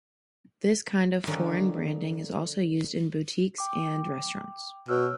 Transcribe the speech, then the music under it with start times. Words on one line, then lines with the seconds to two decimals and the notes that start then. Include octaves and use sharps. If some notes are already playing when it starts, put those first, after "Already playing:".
This kind of foreign branding is also used in boutiques and restaurants.
1.27 D3 D#3 F3 G3 C#4 D#4
3.58 G5 D6
4.88 B2 C#5 E6 F6